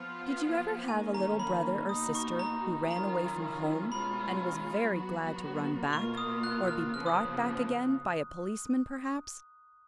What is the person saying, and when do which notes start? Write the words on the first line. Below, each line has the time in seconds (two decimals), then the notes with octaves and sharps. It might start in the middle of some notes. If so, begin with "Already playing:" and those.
Did you ever have a little brother or sister who ran away from home, and was very glad to run back, or be brought back again, by a policeman, perhaps?
Already playing: F3 B3 F4
0.88 D#3 A#3 C#4 G#5
1.14 A#5
1.40 B5
1.89 B2 A#3 D#4 F#4 D#6
2.15 C#6
2.39 A#5
2.90 D#3 F#3 C#4 F4 A#5
3.91 B2 G#3 C#4 F4 B5
4.92 F#3 B3 F#4
5.93 B2 A#3 F4 C#6
6.17 D#6
6.43 F#6
6.68 F6
6.93 C#3 F3 B3 F6
7.06 D#6